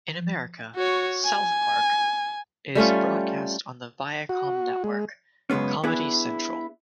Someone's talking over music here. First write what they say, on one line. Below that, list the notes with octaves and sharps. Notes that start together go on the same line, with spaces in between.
In America, "South Park" is broadcast on the Viacom network Comedy Central.
F#4 C#5
G#5
G3 A3 C#4 F4
F#4
G#3
F#2 C#3 G#3 B3 C#4
B3 D4 E4 G#4